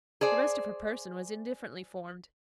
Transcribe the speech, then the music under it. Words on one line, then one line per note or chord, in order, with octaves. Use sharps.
The rest of her person was indifferently formed.
G#4 C5 D5